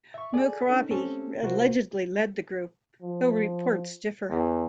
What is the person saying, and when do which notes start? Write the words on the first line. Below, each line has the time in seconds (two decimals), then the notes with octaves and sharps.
Mughrabi allegedly led the group, though reports differ.
0.14 E5 C#6
0.33 G#4 A4 D5 G#5
0.68 C#4 D#4 A4
0.91 A3 C4 C#4 G4 A4
1.43 C3 F4 F#4 A#4 C5
3.02 F3
4.30 E2